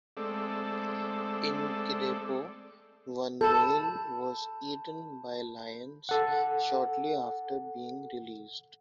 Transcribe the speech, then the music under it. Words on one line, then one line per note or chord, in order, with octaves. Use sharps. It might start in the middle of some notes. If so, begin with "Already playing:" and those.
In Kidepo one male was eaten by lions shortly after being released.
G#3 A3 C4 A4 D5
A4 A5 B5 G6
A4 F#5